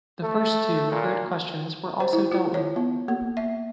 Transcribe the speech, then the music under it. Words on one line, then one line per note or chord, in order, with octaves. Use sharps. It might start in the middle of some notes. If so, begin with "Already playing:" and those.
The first two referred questions were also dealt with.
A3
A#2
C5
E4
F4
C#5
B3
A#3
E5